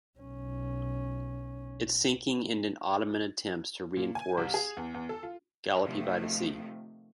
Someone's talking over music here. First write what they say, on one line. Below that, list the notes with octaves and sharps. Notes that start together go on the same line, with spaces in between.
Its sinking ended Ottoman attempts to reinforce Gallipoli by sea.
B1 C#4
A#2
G#5
C2
G#4
E2
E2
A4
F4
C3 D#3 F3 A3